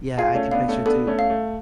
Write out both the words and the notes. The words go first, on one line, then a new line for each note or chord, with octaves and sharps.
Yeah, I can picture it, too
F4 G#4 F5
A3 C#4
B3 D4 F5
A3 C#4
B3 D4 A4
A3 C#4
F5
A3